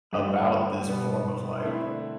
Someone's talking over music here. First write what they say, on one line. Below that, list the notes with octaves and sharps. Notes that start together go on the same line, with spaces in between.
about this form of, like
G2 D3 A3 D4 G4
B2 G3 B3
D3 A3 C4 E4